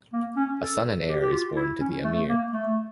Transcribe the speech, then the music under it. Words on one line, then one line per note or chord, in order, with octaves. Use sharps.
A son and heir is born to the "amir".
A#3
C#4
A4
G4
G4
F4
E4
C#4
A3
A#3
A3